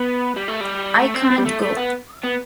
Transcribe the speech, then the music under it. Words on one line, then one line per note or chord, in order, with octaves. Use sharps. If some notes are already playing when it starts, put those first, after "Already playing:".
I can't go!
Already playing: B3
G3
A3
G3
A3
C4
C4
G3
A3
A3
B3
B3